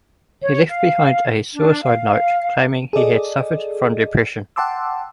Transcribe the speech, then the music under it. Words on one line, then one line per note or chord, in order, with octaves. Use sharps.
He left behind a suicide note claiming he had suffered from depression.
C#5
F5
D4
F5
G#4 A4 D5 D#5
F#5 G5 A5 C6 D6 E6